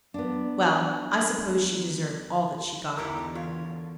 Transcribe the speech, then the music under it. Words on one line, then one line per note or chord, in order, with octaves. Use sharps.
Well, I suppose she deserved all that she got.
F#3 B3 D4
E2 D3 D#4 E4 G4 A#4
F4 C#5